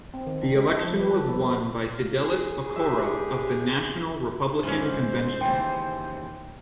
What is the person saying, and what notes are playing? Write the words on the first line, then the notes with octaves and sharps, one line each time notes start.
The election was won by Fidelis Okoro of the National Republican Convention.
C4
D#3
D4
G#3
A4
F3
B4
A4
B3
C5
F4
G#4
D4 G4 E5 C6
G#2 E3 C#4 F4 C5
D#2 C#3 E3 G5